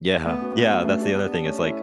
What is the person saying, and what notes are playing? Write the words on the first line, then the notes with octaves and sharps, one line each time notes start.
Yeah. Yeah, that's the other thing, it's like,
A3 B3
C#4 F#4 B4
A3 B3
C#4 F#4 B4
A3 D4
G4 D5 A5
B3 D4
G4 D5 A5
A3 C#4
E4 A4 E5